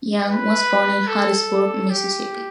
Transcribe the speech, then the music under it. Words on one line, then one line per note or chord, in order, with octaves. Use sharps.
Young was born in Hattiesburg, Mississippi.
B4
A4
G4